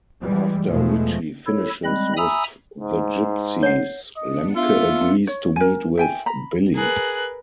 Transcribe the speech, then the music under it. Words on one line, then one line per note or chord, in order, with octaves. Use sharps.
After Richie finishes with the Gypsies, Lemke agrees to meet with Billy.
E3 G3 G#3
E2 B2 F3 G#3 A3
E4 A4 C#5
G3 G#3 C4 D#5 B5 F#6
E5 G#5 A#5 B5 D#6 E6
G#2
C#5 F#5
B3 D4 D#5 C#7
F4 E5
C#5
A#4 G#5
E5 G5 G#5
A#5 B5
G#4 A#4 B4 F#6